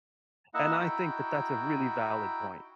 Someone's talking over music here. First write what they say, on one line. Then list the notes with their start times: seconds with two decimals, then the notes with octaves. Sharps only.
And I think that that's a really valid point.
0.54 A#3 D#4 E4 D#5 E5 F#5
0.79 D#4 E4 F#4 G5